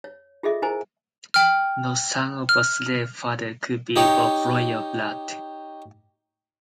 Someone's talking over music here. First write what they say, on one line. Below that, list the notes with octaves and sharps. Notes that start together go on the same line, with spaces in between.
No son of a slave father could be of royal blood.
C#5
F4 G#4 A4 D#5 E5
E4 A#4 C5 G#5 A#5
G5 F6
F6
D#4 G4 C#5